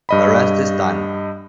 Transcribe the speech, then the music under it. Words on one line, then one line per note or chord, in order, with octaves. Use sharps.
The rest is done.
G2 D#5 B5